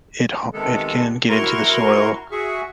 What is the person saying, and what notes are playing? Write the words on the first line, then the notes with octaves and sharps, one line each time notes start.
it ha it can get into the soil,
C3 D#3 G#3 B3 A4
E4 F#4 A#4 A#5 C6 C#6
F#4 G#4 E5 C#6